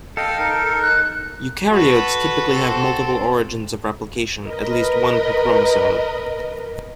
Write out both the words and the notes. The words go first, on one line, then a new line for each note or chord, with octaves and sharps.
Eukaryotes typically have multiple origins of replication; at least one per chromosome.
A4 D#5 F5 G5
D#4 A#4
F#6
F#4 A4 B4
C4 A4
A#4 B4 D#5